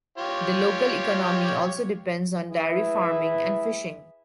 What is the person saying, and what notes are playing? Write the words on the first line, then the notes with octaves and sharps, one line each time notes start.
The local economy also depends on dairy farming and fishing.
F4 G4 C#5
E4 G#4 B4 E5